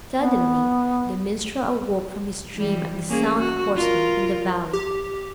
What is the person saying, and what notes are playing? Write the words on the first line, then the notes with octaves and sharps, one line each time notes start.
Suddenly the minstrel awoke from his dream at the sound of horsemen in the valley.
B3
E3 G3
A#3 C#4 G#4
F#4
F4 A#4
G4